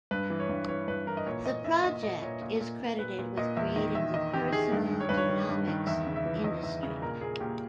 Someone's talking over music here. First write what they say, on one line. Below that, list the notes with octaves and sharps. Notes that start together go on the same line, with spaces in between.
The project is credited with creating the personal genomics industry.
G2 B4
E3
C#5
G2
E3 C#5
G2 B4
E3 A#4
D#5
A#2 C#5
A#2 D#5
A#2 E5
A#2 D#5
A#2 D#5
A#2 C#5
A#2
A#2
A#2
A#2 B4
A#2
A#2 D#5
E2 E5
D#3 D#5
E2 E5
D#3 D#5
E2 G4
D#3 G#4
G2
D#3
C#5
G2 B4
C#5
D#3
G2
D#3
E2 E5
C#3
E5
E3
E2 D#5
E2 E5
C#3
A#2 A#4
A#2 G#4
A#2 G4